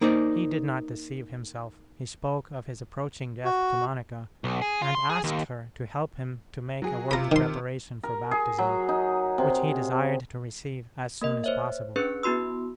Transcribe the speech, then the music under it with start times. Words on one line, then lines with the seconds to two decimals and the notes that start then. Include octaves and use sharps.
He did not deceive himself. He spoke of his approaching death to Monica, and asked her to help him to make a worthy preparation for Baptism, which he desired to receive as soon as possible.
0.01 A#3 D#4 C5 D5
3.44 F#4
4.44 B1
4.62 G#4
4.82 F4
4.95 C6
5.09 G#4
5.24 D#2
6.82 F#3 G#4
7.11 C3 F4 A#5 B5
7.32 D#3 C6
8.03 A#4
8.31 G#4
8.58 F#3
8.89 D#4
9.38 C3
11.22 A#3 A#4 D#5
11.44 C5 C#5 E5
11.96 C#4 D4 G#4 B4 F#6 C#7
12.23 B3 E4 F#4 C6 E6